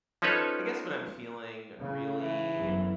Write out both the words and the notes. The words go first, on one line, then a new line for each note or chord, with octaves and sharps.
I guess when I'm feeling really
F3 C#4 D#4 A4 B4 C#5
C#3
E3
G1 F#2